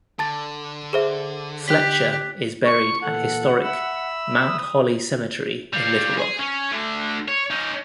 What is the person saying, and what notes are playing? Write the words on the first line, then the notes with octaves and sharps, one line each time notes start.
Fletcher is buried at historic Mount Holly Cemetery in Little Rock.
D3 A5 A6
G#4 C5 E5
G4 F#6 B6
C#6
A#2 E3 A4 F#5
E5 B5 E6
D#6
G3 F5
G#4
C#4
D3 A3
C#5
C#4 D#4